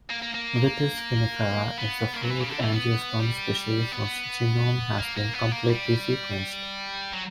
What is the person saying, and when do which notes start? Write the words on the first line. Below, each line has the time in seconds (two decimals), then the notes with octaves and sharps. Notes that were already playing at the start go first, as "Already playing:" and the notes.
"Vitis vinifera" is the fourth angiosperm species whose genome has been completely sequenced.
0.10 A#3
0.22 A#3
0.35 A#3
1.78 B3
2.14 A#3
2.22 F#3
2.31 E3
2.39 C#3
2.49 D3
2.61 E3
2.73 B3
3.20 G3
3.91 B3
4.98 A#3
5.17 A#3
5.34 B3
5.52 A#3
5.70 G3
7.13 F#3